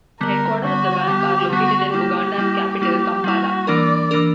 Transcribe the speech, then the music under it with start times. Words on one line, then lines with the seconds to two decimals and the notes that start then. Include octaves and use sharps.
The headquarters of the bank are located in Uganda's capital, Kampala.
0.20 D3 G3 B3 A#4
0.64 D3 G3 B3 F#4
1.07 D3 G3 B3 G4
1.51 D3 G3 B3 F#4
1.94 G3 A#3 E4 G4
2.38 G3 A#3 E4
2.81 G3 A#3 E4 G4
3.24 G3 A#3 E4 F#4
3.67 E3 A#3 D4 A#4 D5
4.11 E3 A#3 D4 A#4